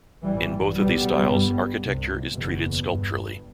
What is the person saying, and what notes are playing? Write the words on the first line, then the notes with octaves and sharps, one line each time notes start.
In both of these styles architecture is treated sculpturally.
A1 G2 E3 G3
B1 B2 G3 B3
G1 G2
C2 C3
F#1 E2 B2
G1 G2